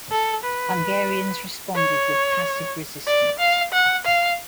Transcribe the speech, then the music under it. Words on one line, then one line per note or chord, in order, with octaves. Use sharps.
Hungarians responded with passive resistance.
A4
B4
C#5
D5
F5
F#5
F5